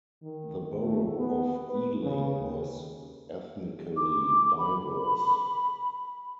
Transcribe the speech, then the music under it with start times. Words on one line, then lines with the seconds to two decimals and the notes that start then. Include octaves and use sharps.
The borough of Ealing is ethnically diverse.
0.23 D#3
0.80 A3
1.19 B3
1.70 B4
2.03 C#3
2.40 D#2
3.97 D6
4.58 B5